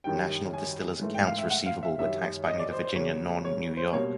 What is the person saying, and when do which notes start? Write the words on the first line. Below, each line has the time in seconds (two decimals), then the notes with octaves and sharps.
National Distillers' accounts receivable were taxed by neither Virginia nor New York.
0.04 F#2 D#3 G3 G5
0.54 G#5
1.01 G#2 E3 A3
1.14 G5
1.27 F5
1.38 E5
1.50 F#5
1.66 F5
1.83 E5
1.99 F#2 D#3 G3 E5
2.48 D#5
2.60 D5
2.72 C5
2.84 C5
2.96 C#3 F#3 A#3 C#5
3.45 C#5
3.77 C5
3.93 B2 G3 A#3 C#5